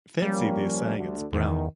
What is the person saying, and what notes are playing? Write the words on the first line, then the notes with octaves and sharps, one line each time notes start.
Fancy their saying it’s brown.
F3 G3 A#3 C#4
D2 D3
E2 D#3